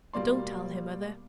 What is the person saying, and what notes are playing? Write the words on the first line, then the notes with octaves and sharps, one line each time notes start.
But don't tell her, mother.
B2 G3 A#3 D5 C6